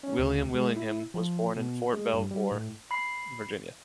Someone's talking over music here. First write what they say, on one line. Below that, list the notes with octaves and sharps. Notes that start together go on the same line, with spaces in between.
William Willingham was born in Fort Belvoir, Virginia.
C#4
D2
G#3
E4
F3
B2
G#3
G2
G3
A2
B5 C7